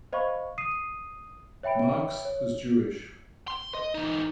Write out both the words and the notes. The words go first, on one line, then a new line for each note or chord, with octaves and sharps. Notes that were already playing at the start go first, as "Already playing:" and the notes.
Marks was Jewish.
C5 D#5 F5 B5 C#6
D#6 C7 D#7
C#5 E5 G5 B5 D7
C#5
C6
D#5
E3 D#4